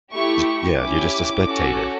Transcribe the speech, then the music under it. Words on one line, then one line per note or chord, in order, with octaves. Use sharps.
J yeah, you're just a spectator.
A3 E4 G4 C#6
C#6
C#4 E4 G4 D6
C#4 F#4 A4